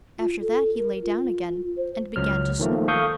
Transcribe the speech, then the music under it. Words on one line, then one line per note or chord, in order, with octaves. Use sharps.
After that he lay down again, and began to snore.
F4
A4
A#4
F4
C5
C#2 F#3 F6
D#3 F3 A3 A#3
A4 F5 C#6 D#6 G6